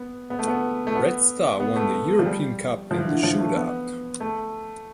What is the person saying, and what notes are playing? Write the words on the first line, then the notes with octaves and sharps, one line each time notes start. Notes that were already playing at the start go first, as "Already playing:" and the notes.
Red Star won the European Cup in the shootout.
Already playing: B3
B3
A3
B3
A3
B3
B3
A3
F3
G3
F3
E3
D3
E3
F3
A3
B3
A3